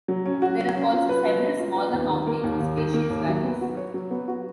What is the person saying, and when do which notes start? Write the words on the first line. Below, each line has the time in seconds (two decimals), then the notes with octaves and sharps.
There are also several smaller mountains and spacious valleys.
0.08 F#3
0.26 C#4
0.42 F#4
0.59 F#3
0.75 C#4
0.93 F4
1.09 B4
1.26 F#3
1.43 C#4
1.59 F4
1.76 B4
1.93 D#2
2.10 D#3
2.27 A#3
2.44 D#2
2.60 D#2
2.77 D#3
2.94 A#3
3.10 D#2
3.28 F#3
3.44 B3
3.61 F#4
3.77 C#5
3.94 F#3
4.11 B3
4.28 F#4